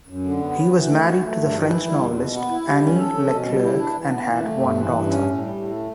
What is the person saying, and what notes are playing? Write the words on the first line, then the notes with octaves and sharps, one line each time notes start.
He was married to the French novelist Annie Leclerc and had one daughter.
F#2
D3
B3
C#4
E3
A3
F#4
A3
G2
E3
E4
G3
E2
B2
B3
E4
G3
C#4
A4
C#4
B2
G3
E4
D4
E3
B3
E3
A3
G2
E3
G2
C#4
A2
G3
A2
A3